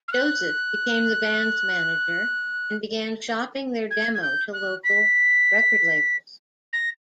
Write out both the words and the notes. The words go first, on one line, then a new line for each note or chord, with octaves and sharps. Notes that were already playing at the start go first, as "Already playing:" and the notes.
Joseph became the band's manager and began shopping their demo to local record labels.
F6
F#6
G#6
G#6
G6
F#6
B6
A#6